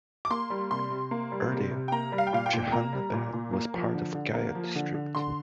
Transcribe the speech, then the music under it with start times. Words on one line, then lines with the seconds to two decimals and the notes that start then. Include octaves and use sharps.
Earlier, Jehanabad was part of Gaya district.
0.25 D6
0.30 A#3 C6
0.50 G3
0.71 C3 C6
0.90 C3
1.11 A#3
1.32 G3
1.52 C3
1.71 C3
1.88 G5
1.92 A#3 A#5
2.12 G3
2.18 F5
2.27 G5
2.33 A#2 F5
2.46 G5
2.53 A#2
2.72 A#3 A#5
2.93 G3
3.13 A#2
3.33 A#2
3.53 A#3
3.74 F3
3.94 D3
4.14 D3
4.34 A#3
4.55 F3
4.75 D3
4.94 D3
5.15 D3 C6